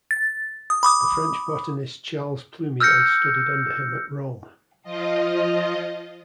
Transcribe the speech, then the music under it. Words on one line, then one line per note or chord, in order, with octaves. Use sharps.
The French botanist Charles Plumier studied under him at Rome.
A6
D#6
B5 D6 D#6
E6 F6 G6 A#6 C#7
F3 F4 D#5